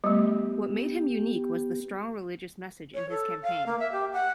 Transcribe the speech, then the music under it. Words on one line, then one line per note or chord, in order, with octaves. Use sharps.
What made him unique was the strong religious message in his campaign.
G3 A3 B3 G4
C#5
A4
F5
A#3
E5
G4
F#5